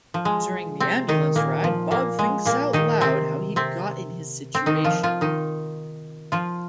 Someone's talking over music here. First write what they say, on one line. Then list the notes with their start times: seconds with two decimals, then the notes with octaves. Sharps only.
During the ambulance ride, Bob thinks out loud how he got in his situation.
0.14 F3
0.25 G#3
0.80 C3 C4
1.08 D#3 D#4
1.36 A#2 A#3
1.64 F3
1.91 A#2 A#3
2.19 G#3
2.46 A#2 A#3
2.73 D#3 D#4
3.01 C3 C4
3.56 C3 C4
4.55 C4
4.66 D#3 D#4
4.84 F3 F4
5.03 F3 F4
5.21 D#3 D#4
6.32 F3 F4